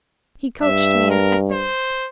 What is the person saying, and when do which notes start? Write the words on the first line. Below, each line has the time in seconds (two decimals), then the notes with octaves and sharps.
"He coached me in ethics."
0.62 G2 E5
1.10 A#4
1.52 C5